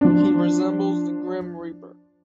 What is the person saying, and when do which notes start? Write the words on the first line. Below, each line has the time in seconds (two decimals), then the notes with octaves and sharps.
He resembles the Grim Reaper.
0.01 F3 D4